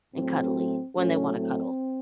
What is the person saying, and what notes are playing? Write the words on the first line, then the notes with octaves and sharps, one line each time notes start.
and cuddly when they wanna cuddle.
A2 F#3 A3 C4
A2 F#3 A3 C#4
C4